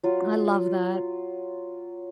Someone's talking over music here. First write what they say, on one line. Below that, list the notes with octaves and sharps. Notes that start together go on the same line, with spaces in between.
I love that.
F#3 F4